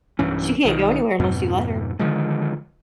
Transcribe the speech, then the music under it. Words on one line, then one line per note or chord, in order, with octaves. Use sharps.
she can't go anywhere unless you let her.
B1 G2 E3 C#4
B1 D#3
F2 G#2 B2
D3 D#3 F3 G#3